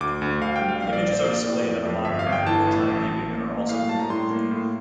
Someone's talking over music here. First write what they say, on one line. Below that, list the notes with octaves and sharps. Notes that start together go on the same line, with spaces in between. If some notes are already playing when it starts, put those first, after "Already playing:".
The images are displayed on a monitor for real-time viewing and are also recorded.
D2 D6
D2
D2 F5
G5
G3
F5
A#1 F5
D5
A#1 D5
C5
A#3 D5
A2
F2
F2
G1 E5
F5
G1
G5
E3 A5
A2
A1
A1
A#3
A#3
A2 F5
F5
G3 A5
A#5
A2 C6
A#3
A2